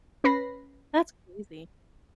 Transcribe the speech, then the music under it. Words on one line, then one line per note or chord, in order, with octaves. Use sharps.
That's crazy.
C#4 B4 B5 A#6 C7